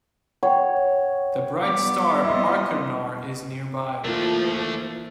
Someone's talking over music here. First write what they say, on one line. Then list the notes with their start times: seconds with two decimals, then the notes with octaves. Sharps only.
The bright star Achernar is nearby.
0.43 C#5 F#5 G5
1.63 G3 B3 D6
2.24 E4 D#5 C6
4.04 E3 F3 A3 A#3 D4